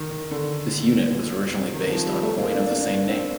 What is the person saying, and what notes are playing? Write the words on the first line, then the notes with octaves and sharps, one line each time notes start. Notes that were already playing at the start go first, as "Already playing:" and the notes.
This unit was originally based on a coin of the same name.
Already playing: D#3
D#3
D3
C3
D#3
F3
G3
A3
A#3
D4
D4
C4